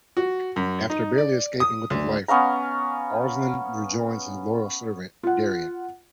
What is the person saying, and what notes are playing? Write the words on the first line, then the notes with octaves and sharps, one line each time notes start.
After barely escaping with his life, Arslan rejoins his loyal servant, Daryun.
F#4
F#2
D#4
D5
D#6
D2
B3 C#4 F5 A#5
F4 F#5